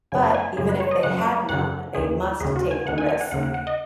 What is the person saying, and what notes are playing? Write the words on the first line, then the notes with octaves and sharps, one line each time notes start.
But, even if they had known, they must take the risk.
F#2 C#3 G#5
G#5
F#2 C#3 G#4
B4
C#5
D#5
F#2 C#3 F#5
F#2 C#3 F#5
D#2 C#3 G#4
D#2 C#3 G#4
F#4
G#5
D#2 C#3 F#5
G#5
G#5
F#5
D#2 C#3 F#5
F#5
F#5
D#5